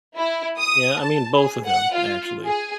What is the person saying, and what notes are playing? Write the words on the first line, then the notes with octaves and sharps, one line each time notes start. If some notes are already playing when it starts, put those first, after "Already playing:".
Yeah, I mean both of them actually.
E4
D#6
A5
G#4
F#5
F4
G#4